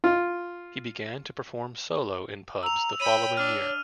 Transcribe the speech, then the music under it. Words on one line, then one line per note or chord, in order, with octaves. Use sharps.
He began to perform solo in pubs the following year.
F4
A#5 E6 F7
C#5 G5 B5 D#7
D4 F6